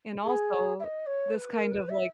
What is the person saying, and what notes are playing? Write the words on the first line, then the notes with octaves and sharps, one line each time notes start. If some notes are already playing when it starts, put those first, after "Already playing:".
And also, this kind of, like
G#4
E5
D#5
C#5
B4
A#4
B4
E5